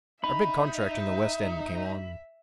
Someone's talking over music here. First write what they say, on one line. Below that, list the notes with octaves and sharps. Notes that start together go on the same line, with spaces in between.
Our big contract in the West End came on.
D#4 E5 B5